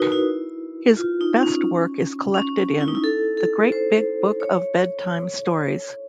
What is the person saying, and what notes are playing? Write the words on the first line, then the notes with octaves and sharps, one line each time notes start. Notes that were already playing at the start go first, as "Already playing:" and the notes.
His best work is collected in "The Great Big Book of Bedtime Stories".
Already playing: D#4 F#4 A#4 B4
E4
F4
D#4
C#4
C#4
E4
D#4
E4
A4
A4
C5
C#5